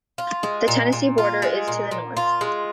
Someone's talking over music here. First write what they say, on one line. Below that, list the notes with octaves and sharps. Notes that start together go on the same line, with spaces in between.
The Tennessee border is to the north.
F4
G#3
A#2
A#2
F4
G#3
A#2
A#2
F4
G#3